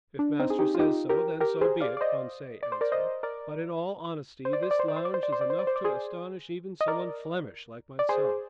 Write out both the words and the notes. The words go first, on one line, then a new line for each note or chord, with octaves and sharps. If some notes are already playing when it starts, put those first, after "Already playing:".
"If master says so, then so be it," Conseil answered. "But in all honesty, this lounge is enough to astonish even someone Flemish like myself."
D4
C4 D#4
G#4
D#4 G4
F4
D#4 G4
G4 A#4
G4 A#4
G#4 C5
D5 F5
D5
C5 D#5
D5
C5
A#4 D5
C5 D#5
A#4 D5
C5
D5
C5
D5
C5
D5
C5
D5
C5
D5
C5
D5
C5
D5
C5
D5
G#4 C5
D#5
A#4 D5
D5
G#4 C5